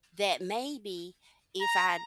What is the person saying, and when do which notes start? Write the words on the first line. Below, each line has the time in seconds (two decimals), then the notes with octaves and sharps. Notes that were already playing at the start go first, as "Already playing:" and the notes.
that maybe if I
1.61 A#5